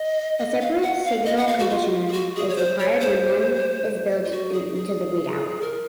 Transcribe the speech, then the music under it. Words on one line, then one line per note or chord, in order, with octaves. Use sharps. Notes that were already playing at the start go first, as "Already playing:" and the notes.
A separate signal conditioner is required when none is built into the readout.
Already playing: D#5
D#5
F5
F#5
F5
D#5
F#5
F5
F#4
F4
G#4
F#4
G#4
C#5
C5
C#5
C5
F4
F#4
G#4
G#4
A#4